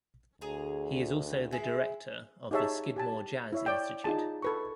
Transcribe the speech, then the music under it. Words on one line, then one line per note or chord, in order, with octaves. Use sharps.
He is also the Director of the Skidmore Jazz Institute.
D2 G#4 A#5
G#3 E4 E5
D#4 G4 G#4 C#5 E5 A5
G4 G#5 A5
E4 C#5 E5
C#5 D5 G5
D#4 F4 G#4 A5
A4 B4 C#6